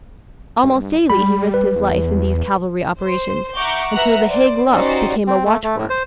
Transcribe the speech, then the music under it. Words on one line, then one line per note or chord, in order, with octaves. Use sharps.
Almost daily he risked his life in these cavalry operations--until the "Haig luck" became a watchword.
G2
G3 B5
B4
E2
C5
E5 F#5 A#5 C#6 D6 G6
B4 E5 F#5 A#5 F#6
C5 D5
C#4 D#4 F#4 G4 C5 D5
C4
A3
A3
A2
C5